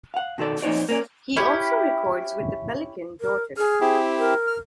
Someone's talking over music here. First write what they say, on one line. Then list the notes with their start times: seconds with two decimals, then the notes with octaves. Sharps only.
He also records with the Pelican Daughters.
0.14 F5 F#5
0.38 B2 D#3 A4 D5
0.62 F2 A#2 D#4 C#5 D5
0.89 A#3 C#4 D5
1.36 C#4 E4 G4
3.21 A#4
3.57 G#4 F6
3.81 C4 E4 G4
4.18 A#4
4.47 F6